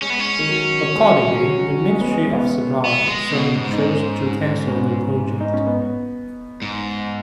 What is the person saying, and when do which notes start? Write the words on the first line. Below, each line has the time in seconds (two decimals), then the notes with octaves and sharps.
Accordingly, the Ministry of Supply soon chose to cancel the project.
0.01 G#3 C#4
0.10 B3
0.19 C#4
0.39 D#3
0.49 F#3
0.95 G#3
1.27 F#3
1.59 F#3
1.90 G#3
2.01 B3
2.12 G#3
2.37 B3
2.84 B3
3.08 G#3
3.31 B2
3.55 G#2
3.73 D#4
3.78 C#4
4.26 C#4
4.68 C#4
4.73 B3
5.40 D#4
5.54 C#4
5.66 B3
6.62 G#2